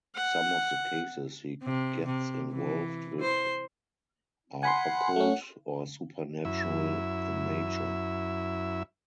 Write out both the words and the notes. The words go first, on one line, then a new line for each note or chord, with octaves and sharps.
Some of the cases he gets involved with are occult or supernatural in nature.
F#5
C3
C3
E3
C5
F#5 G#5 B5 C6
A3 C#4
F#2 E4 E5